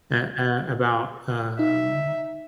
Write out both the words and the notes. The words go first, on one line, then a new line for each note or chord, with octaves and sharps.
at, uh about, um,
D#4 E5